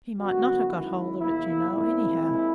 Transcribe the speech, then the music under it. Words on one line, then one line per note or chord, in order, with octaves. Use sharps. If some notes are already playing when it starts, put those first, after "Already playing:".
He might not have got hold of it, you know, anyhow.
F#2 D3 G3 B3 F#4
F#2 D#3 G#3 E4
E2 C3 F3 A#3 E4
A#2 F3 G#3 C4 E4
A#2 F3 G#3 C4